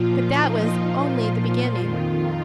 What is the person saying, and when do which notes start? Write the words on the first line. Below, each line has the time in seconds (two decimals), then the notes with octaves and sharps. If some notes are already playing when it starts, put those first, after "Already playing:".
But that was only the beginning.
Already playing: A#2 F3 F4
0.31 D#4
0.81 A#2 F3 F4
1.30 F4
1.79 F2 D#3